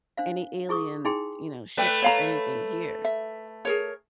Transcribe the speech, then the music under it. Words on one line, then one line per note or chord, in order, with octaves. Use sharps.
any alien, you know, ships or anything here.
D4 C5 F5
E4 G#4 C#6 D#6
D#4 E4 G#4 G5 C6
A3 B4 D5 G5
C#5 F5 A#5
E5
G#4 A#4 C#5